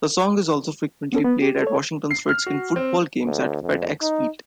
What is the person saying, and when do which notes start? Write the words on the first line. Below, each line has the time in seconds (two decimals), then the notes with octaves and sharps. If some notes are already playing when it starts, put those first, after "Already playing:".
The song is also frequently played at Washington Redskins football games at FedExField.
1.13 B3 C#4 A4
1.24 B3
1.42 G4
1.63 A4 C#5
2.11 C7
2.29 F6
2.47 F#4
2.76 C4
3.25 D2
3.62 F2
4.02 D#4